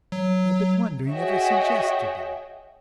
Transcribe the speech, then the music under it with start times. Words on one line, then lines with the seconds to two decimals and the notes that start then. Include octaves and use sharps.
I've been wondering ever since yesterday.
0.12 F#3
1.10 F#4 G#4 C#5 D#5 E5 G5